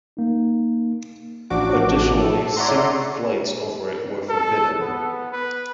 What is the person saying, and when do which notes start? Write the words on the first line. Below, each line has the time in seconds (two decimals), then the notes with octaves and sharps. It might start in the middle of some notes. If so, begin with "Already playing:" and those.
Additionally, civil flights over it were forbidden.
0.17 A#3 D#4
1.50 A1 F3 D4 F#4 D6
2.18 A4
2.56 C#5 D5 E5 F#5 A#5 C6
4.30 A4
4.81 B3
5.32 B4